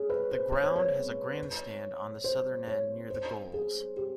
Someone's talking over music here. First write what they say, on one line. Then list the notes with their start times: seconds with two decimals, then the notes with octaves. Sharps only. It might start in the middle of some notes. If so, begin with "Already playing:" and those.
The ground has a grandstand on the southern end near the goals.
Already playing: G#4 C#5
0.10 B4
0.32 C5
0.52 C#5
0.64 C5
0.76 C#5
2.24 C5
2.68 C#5
3.10 C5
3.54 G#4
3.97 G4